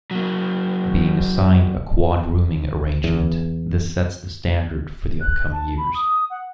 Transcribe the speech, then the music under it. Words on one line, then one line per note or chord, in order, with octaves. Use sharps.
Being assigned a quad rooming arrangement, this sets the standard for the upcoming years.
F#3 A#3
E2
F#6
A5
B5
D#6
F#5